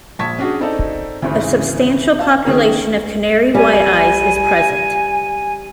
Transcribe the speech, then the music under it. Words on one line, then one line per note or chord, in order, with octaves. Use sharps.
A substantial population of canary white-eyes is present.
A#1 A5 C#6 G#6 B6
C#4 D4 F#4 G#4
C4 D#4 A4 D5
G#1 D2 C#3 E3
F5 A5
D#3 A#3 C#4 G#4 A#4
G3 G#5